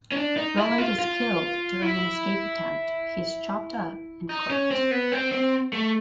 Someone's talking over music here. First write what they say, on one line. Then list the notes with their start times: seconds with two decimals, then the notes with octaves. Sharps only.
Roland is killed during an escape attempt; he is chopped up and cooked.
0.12 C#4
0.16 D4
0.37 D#4
0.57 E4
0.78 F4
0.99 F4
1.82 E4
4.29 D#4
4.50 C#4
4.71 C4
4.91 B3
5.12 C4
5.32 C4
5.73 A3